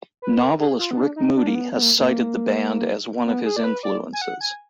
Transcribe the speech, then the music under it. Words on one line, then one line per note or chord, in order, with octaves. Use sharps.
Novelist Rick Moody has cited the band as one of his influences.
B4
A#4
G#4
F4
B3
D4
D#4
D4
A#3
B3
B3
A#3
A#3
B3
G#4
D5
B4
D5
G#5
F#5
G#5